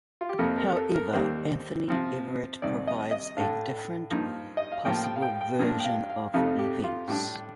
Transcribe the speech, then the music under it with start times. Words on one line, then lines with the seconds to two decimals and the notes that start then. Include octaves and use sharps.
However Anthony Everitt provides a different possible version of events.
0.21 F4
0.29 G4
0.38 F2 C3 F3 A#3 A4
0.58 A#4
0.76 A4
0.95 A#4
1.13 D#2 D#3 G3 A#3 C5
1.88 C3 F3 C4
2.62 C2 C3 D#3 D5
2.87 D#5
3.11 D#5
3.37 A2 A3 D4 F5
4.11 G2 F3 A#3 D#4
4.57 D#5
4.72 F5
4.85 A2 F3 A#3 G5
5.04 G5
5.16 F5
5.22 G5
5.41 G5
5.59 G2 F3 A#3 D4
5.80 G5
5.84 F5
6.09 F5
6.34 F2 C3 F3 A3 D#4 F5
6.59 G4
6.84 F4
7.08 A2 G3 D4 G4